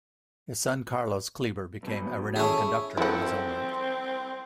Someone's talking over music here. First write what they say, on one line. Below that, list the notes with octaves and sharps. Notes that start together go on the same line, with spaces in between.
His son Carlos Kleiber became a renowned conductor in his own right.
B1 F2 B2
C#4 E4 G#4 A4
F3 C4 E4 F#4 A4